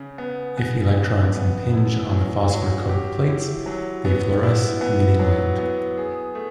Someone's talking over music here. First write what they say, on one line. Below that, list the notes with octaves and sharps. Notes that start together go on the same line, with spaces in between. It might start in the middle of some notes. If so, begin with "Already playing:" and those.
If electrons impinge on the phosphor-coated plates, they fluoresce, emitting light.
Already playing: C#3
B3
B3
C#3
B3
E4
F#3
F#3
G4
E4
F#3
B3
E4
B3
F#3
B3
G#4
A3